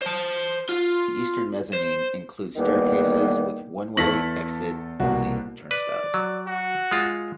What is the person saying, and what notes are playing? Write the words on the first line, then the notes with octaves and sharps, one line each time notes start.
The eastern mezzanine includes staircases with one-way exit-only turnstiles.
C5 A5
F4
C5
E2 B2 D#3 G3 A#3 B3
E2 B3 E4 A4 C#6 A#6 B6 F#7
C2 B2 A#3 F#4
B4 D5
F#3
F#4
G#3 F4